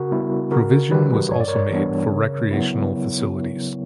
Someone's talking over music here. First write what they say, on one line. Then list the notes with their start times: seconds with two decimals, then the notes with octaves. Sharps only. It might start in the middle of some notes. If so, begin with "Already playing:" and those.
Provision was also made for recreational facilities.
Already playing: C#3 F#4 A#4
0.11 G3 B3 E4
0.51 C#3 F#4 A#4
0.91 E3 G3 G4 B4
1.31 G2 C#5
1.40 D5
1.48 A#4 C#5
1.71 E3 G3 B3 D4
2.11 C#3
2.51 F#3 B3 E4